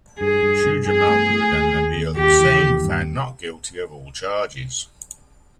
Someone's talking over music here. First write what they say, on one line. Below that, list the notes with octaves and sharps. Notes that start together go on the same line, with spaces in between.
Shujah Mahmood and Nabeel Hussain were found not guilty of all charges.
G2 G#4
G2
G2
G2 G#4
A3
A3
D#2
D#2
D#2
D#2 G4
E3
D#2
G2